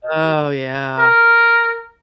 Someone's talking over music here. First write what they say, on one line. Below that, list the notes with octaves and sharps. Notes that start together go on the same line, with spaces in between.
Oh, yeah.
A#4